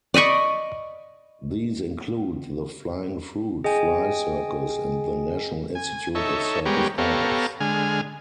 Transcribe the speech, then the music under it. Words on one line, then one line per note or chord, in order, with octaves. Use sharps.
These include the Flying Fruit Fly Circus and the National Institute of Circus Arts.
D5 D#5 B5 C#6
G#4 D#5 G5 G#5
G#5
D#4 A4 C#5 E5
G3 G#3 B3 G4 A#4 C#5
B3 G4 A4 C#5 F5 A#5
D3 G#3 G#5 F6